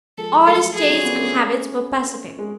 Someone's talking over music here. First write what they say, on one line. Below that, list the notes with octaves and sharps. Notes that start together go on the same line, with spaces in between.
All his tastes and habits were pacific.
F3 G#3 A4
F#3 A3 A4
F#4 G#4
C#4 F4
B3 D4
A3 C#4
G#3